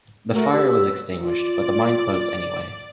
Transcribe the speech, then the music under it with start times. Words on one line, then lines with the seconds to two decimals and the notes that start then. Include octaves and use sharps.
The fire was extinguished, but the mine closed anyway.
0.34 A3 F#4 A#4
0.52 F#3 G4 B4 E6
1.21 F4 D5